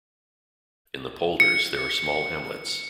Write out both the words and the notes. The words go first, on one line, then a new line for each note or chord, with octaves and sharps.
In the polders there are small hamlets.
C#7